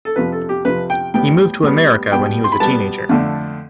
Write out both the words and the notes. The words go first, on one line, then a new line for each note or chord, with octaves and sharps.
He moved to America when he was a teenager.
A4
F2 C3 F3 B4
A4
G4
F2 C3 F3 B4
G5
A2 G3 B3 G5
A2 G3 B3
B2 G3 B3 G5
C6
B5
B2 G3 B3 A5
F2 D3 A3